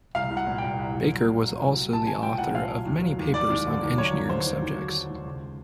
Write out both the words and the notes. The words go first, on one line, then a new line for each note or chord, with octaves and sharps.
Baker was also the author of many papers on engineering subjects.
C2 F5
C2
F#5
A#2
G5
C2
C2
C2
F#3
A#2
F#3
C2
F#3
C2 A5
C2 G#5
A#2 G5
C2 F#5
A#2 F5
F#3
D#2
F#3
D#2
D#2 D5
D#2
D3
D#2
F#3 C#5
D#2
D3 C5
D#2
D#2
F#3
F#3
D#2
C#2